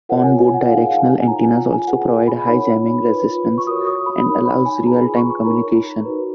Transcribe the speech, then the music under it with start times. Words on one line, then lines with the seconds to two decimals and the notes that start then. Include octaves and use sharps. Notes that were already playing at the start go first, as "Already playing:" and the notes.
On-board directional antennas also provide high jamming resistance and allows real time communication.
0.09 F4 A#4 C#5 F#5
0.24 G#5
0.38 G#5
0.54 F#5
0.68 D#4 G#4 C#5 F5
0.84 F#5
0.98 G#5
1.14 G#5
1.28 F4 A#4 C#5 A#5
1.43 G#5
1.73 G#5
1.87 F4 G#4 B4 F#5
2.08 G#5
2.28 B5
2.47 D#4 A#4 C#5 B5
3.07 F4 B4
3.58 C#6
3.67 F#4 A#4 C#5 D#6
3.87 D#6
4.06 B5
4.26 D#4 A#4 C#5 B5
4.46 B5
4.66 G#5
4.87 F4 G#4 B4 A#5
5.01 B5
5.16 C#6
5.30 B5
5.45 D#4 A#4 C#5 A#5
6.05 D#4 F#4 B4